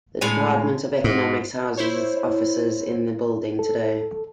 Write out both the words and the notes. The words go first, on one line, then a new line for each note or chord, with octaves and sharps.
The Department of Economics houses it offices in the building today.
A2 G#3 G#5
G#2
E4 C5 C#5
A4